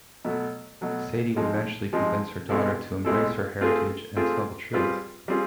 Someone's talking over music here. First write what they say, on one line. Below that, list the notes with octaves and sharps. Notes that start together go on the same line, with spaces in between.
Sadie would eventually convince her daughter to embrace her heritage and tell the truth.
B2 F#3 A3
B2 F#3 A3
F3 G#3 C4 D#4
F3 G#3 C4 D#4
B2 G#3 C4 E4 A4
B2 G#3 C4 E4 A4
A3 C4 F4 G#4
A3 C4 F4 G#4
G3 C4 F4 G#4 B4
G3 C4 F4 G#4